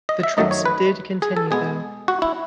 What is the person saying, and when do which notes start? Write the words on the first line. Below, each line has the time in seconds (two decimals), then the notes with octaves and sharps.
The trips did continue though.
0.09 D#5
0.23 E5
0.37 F#2 D#3 F#3 A3 D#4 D#5
0.51 C#5
0.65 B4
1.22 G#4
1.37 A4
1.51 B2 G#3 B3 G#4
2.08 F#4
2.22 E4